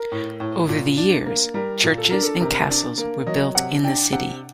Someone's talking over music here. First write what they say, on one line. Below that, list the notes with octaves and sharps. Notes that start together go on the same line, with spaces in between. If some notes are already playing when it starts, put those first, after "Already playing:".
Over the years, churches and castles were built in the city.
Already playing: A#4
A2
A2
A#2
D4
A#3
G3 A#4
A#2
A4
D4 A#4
A4
C3 A#4
D4
A#3
F#3 D#5
C3 F#5
D4 G5
C3 F#5